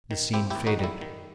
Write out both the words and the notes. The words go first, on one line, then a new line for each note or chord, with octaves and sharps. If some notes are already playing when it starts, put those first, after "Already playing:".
The scene faded.
D#3
C4 E4 G4
D#2 E4 G4
D#4 F#4
G3 E4
D#3